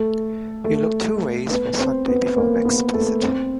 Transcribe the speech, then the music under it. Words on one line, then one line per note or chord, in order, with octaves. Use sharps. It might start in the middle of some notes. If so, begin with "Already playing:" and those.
You'll look two ways for Sunday before I'm explicit.
Already playing: A3 A4
A3 A4
B3 B4
C4 C5
B3 B4
A#3 A#4
B3 B4
A3 A4
C4 C5